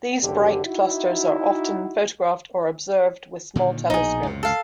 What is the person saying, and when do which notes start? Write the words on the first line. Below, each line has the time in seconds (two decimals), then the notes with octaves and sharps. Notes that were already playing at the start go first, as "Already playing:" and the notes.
These bright clusters are often photographed or observed with small telescopes.
0.22 F#1 C#2 F#2 D3 G4
0.65 D#4 E4 F#4
3.56 A#2 D3 D#3
3.90 A#1 B2 D#4 G#4
4.23 C#2 F#2 C3
4.43 A4 F5